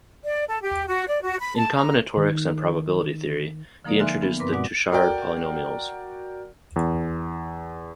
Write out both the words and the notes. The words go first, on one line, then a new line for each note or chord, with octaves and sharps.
In combinatorics and probability theory, he introduced the Touchard polynomials.
D5
A4
G4
F#4
D5
F#4
B5
A5
A#5
D#3
D3 F3 A#3 D#4 A#4 D5
E5 G#5 C6 F6 F#6
B3 F6
G2 C4 A#4 B4 C6 D6
B2 G#3 F#4 D5 F#5 D6
F#4 A#4 D5 G5
E2